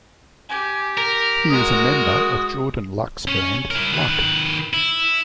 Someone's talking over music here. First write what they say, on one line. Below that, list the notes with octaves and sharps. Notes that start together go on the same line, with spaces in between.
He is a member of Jordan Luck's band Luck.
G4 G#5
A#4 F7
G#3 F#4 D#6
C#4 C#5
E4 A#4
D#3 B4
E4